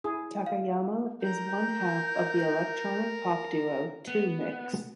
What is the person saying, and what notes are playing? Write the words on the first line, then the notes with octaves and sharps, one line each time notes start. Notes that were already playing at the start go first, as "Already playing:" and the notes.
Takayama is one half of the electronic pop duo Two-Mix.
E4 G#4 D#6
F5
A#4 G6
B3